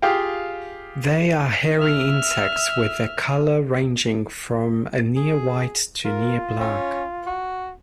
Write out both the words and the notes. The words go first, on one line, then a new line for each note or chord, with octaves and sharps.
They are hairy insects with their colour ranging from a near-white to near-black.
F4 G4 G#4 F5 G5
E5 F6
G#4
F4 A#4
C#4
F#4